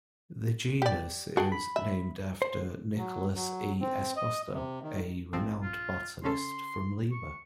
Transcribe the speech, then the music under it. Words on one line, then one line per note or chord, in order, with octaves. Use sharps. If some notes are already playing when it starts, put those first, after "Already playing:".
The genus is named after Nicolas E. Esposto, a renowned botanist from Lima.
G4 D5
D4 F#4 G#4 G5
B5
E5
C5
F#3
F#3
C4
D#5
C3
D#3
A#1 F3 C4
F4
C#3 C#4 A4 C6
C#6